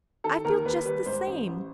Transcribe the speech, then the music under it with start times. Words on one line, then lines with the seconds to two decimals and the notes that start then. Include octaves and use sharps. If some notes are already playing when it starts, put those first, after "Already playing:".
I feel just the same.
0.24 D#3 A4
0.45 D#2 A#4
0.65 D#2 B4
0.85 G3 B4
1.06 G#2 C5
1.27 A1
1.47 A1